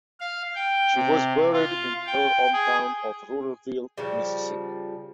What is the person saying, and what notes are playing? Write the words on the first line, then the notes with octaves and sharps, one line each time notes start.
She was buried in her hometown of Ruleville, Mississippi.
F5
G5
C3
F4
G5
G#4
C#3 F3 G3